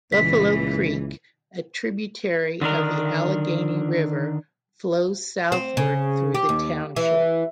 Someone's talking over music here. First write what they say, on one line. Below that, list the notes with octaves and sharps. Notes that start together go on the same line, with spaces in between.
Buffalo Creek, a tributary of the Allegheny River, flows southward through the township.
C#2 A#2 E3 B6
D3 D#3 D4 A#4
C4
C#3
G4
D#2
E3